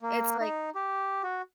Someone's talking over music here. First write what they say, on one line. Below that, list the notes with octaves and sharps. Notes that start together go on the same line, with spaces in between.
It's like
A#3
D#4
G4
F#4